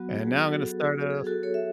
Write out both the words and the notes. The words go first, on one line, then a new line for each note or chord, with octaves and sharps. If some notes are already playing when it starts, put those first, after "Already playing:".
And now I'm gonna start off
Already playing: F#3 B3 F#4
G#4
F#4 A4
G#4
G#4
F#4 A4
A4 C#5
E5